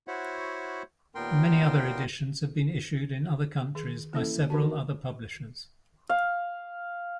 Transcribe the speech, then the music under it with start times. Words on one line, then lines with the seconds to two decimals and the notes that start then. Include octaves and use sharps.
Many other editions have been issued in other countries by several other publishers.
0.08 E4 F#4 C5 C#5 E5 F#5
1.15 D#2 A#2 B3 A#4 G5 C6
3.75 D#3 G#4
4.13 E3 A#3 C#4 A4
4.50 E3 D4 F#4 A#4 A5
6.09 F5